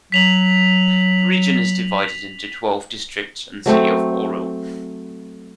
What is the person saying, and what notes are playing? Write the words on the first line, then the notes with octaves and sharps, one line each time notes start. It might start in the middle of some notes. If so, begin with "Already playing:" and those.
The region is divided into twelve districts and the city of Oral.
F#3 B6 F7 F#7
F#3 A3 C4